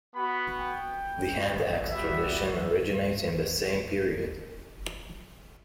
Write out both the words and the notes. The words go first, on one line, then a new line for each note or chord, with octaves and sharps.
The hand-axe tradition originates in the same period.
B3 F#4 B5
G5
G3 B3 F#4 E5
E5